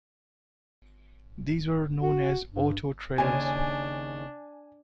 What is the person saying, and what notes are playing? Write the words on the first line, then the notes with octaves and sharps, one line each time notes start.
These were known as "auto trails".
F#4
G2
D#2 C#3 D4 G#5